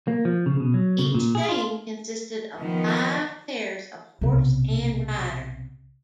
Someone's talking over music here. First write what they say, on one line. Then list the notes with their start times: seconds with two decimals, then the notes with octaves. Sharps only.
Each team consisted of five pairs of horse and rider.
0.08 A#3
0.25 F3
0.46 C#3
0.60 B2
0.74 F#3
0.99 C#3
1.15 A#2
1.35 G#4
1.49 F4
2.60 D#3 F3 B3
4.21 B1 C3